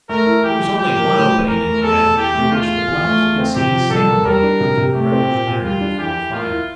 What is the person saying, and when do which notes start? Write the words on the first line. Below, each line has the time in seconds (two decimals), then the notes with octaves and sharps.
There was only one opening in the hedge, through which the blacks could see Sambo cooking the wreckers' dinner before a fire.
0.09 A3 A#4
0.26 E4
0.44 E3 G4
0.61 E3
0.78 F3 G4
0.96 A#3
1.14 A2
1.31 A2
1.48 E3 A#4
1.65 A3
1.82 E2 A4
2.00 E2
2.17 E3 G4
2.34 A3
2.52 E2 F4
2.70 E2
2.87 E3
3.04 A3
3.21 E2
3.38 C4
3.56 C3 G4
3.73 F3
3.90 C2 A4
4.08 A#3
4.25 G3 A#4
4.43 D4
4.60 C3
4.77 C3
4.94 A3 G4
5.12 C4
5.29 A#2
5.47 A#2
5.64 G3 F4
5.81 D4
5.98 E3 G4
6.16 E3
6.33 A#3 F4
6.50 E4